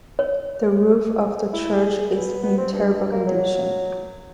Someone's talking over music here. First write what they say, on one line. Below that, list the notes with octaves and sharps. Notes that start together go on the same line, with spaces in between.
The roof of the church is in terrible condition.
C#5
E4
G#4
B3
B3
C4
G2
A#3
F#3